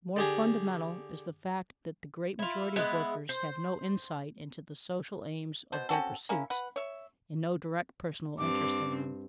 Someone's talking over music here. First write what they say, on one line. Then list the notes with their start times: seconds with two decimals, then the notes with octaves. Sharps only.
More fundamental is the fact that the great majority of workers have no insight into the social aims of their pursuits and no direct personal interest in them.
0.16 D3 G4 G#4
2.39 E4 F4
2.76 G#3 B3 E4 B4
3.29 C5
5.72 B2 C5
5.89 C4 C#4 F#4 A4
6.29 A#3 C#4 E4
6.50 B4 F#5
6.76 C#5 E5
8.38 G2 C4 D6